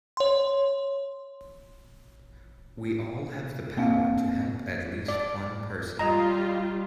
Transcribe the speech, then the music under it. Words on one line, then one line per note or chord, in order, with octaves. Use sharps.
We all have the power to help at least one person.
C#5 C6
A#3 C4 F5
D5
G3 F4 D#5 A#5